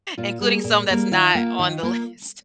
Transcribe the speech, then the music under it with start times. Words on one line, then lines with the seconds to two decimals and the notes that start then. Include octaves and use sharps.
including some that's not on the list.
0.18 A#2 F4
0.40 G3 A#3 G#4
0.64 A#2
0.89 G3 A#3
1.11 D#3 F4
1.35 A#3
1.59 D#3
1.83 A#3